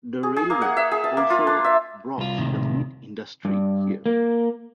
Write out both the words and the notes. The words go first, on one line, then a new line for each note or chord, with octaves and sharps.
The railway also brought the Meat Industry here.
G#4
G#4
A#3
F#5
E5
G#4
A5
A#3
F4
D4
E5
C2 F4
C#2 F#2 A2 C3 D#3
G2
A#3